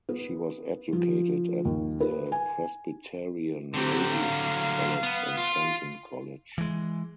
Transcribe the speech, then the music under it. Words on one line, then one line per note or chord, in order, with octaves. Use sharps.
She was educated at the Presbyterian Ladies' College and Shenton College.
B3
F3
D#2
B4
G#5
D3 F#3 C4 G4
F5
B3
F4
E3 G#3